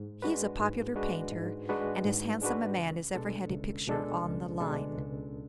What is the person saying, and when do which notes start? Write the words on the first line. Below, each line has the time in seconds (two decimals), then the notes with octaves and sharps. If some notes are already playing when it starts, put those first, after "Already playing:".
He is a popular painter, and as handsome a man as ever had a picture "on the line."
Already playing: G#2
0.22 G#3 D4 F#4 B4
0.59 G#2
0.96 G#3 D4 F#4 B4
1.32 G#2
1.69 G#3 D4 F#4 B4
2.05 G#2
2.42 G#3 D4 F#4 B4
2.78 C#2
3.14 B2 G#3 D4 A4
3.51 C#2
3.87 B2 G#3 D4 A4
4.24 C#2
4.60 B2 G#3 D4 A4
4.97 C#2